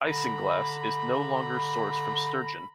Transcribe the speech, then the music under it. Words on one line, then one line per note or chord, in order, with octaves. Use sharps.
Isinglass is no longer sourced from sturgeon.
D3 A#5 B5